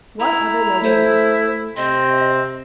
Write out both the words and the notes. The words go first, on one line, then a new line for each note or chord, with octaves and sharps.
"What other nobleman?"
E4 A#5
A3 C5
C3 C4 D#5